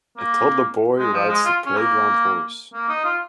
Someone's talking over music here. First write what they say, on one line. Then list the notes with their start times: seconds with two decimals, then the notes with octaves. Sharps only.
A toddler boy rides the playground horse.
0.17 A#3
0.97 G#3
1.14 F3
1.29 G#3
1.45 F4
1.66 C#4
1.77 A#3
2.73 A#3
2.88 D#4
3.04 F4